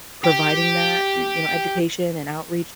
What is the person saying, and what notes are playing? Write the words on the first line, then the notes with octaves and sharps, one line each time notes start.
providing that, y you know, education and outreach
G4